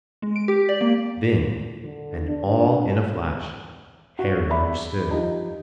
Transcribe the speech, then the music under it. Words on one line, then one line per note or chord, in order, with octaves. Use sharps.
Then, and all in a flash, Harry understood.
G#3
D7
G4
D5
A#3
D3
D4
C4
F#4 F#5
D5 E5 B5
F3 D#4 G4